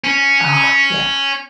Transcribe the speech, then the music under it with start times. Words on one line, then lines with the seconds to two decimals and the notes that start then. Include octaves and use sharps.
Oh, yeah.
0.04 C#4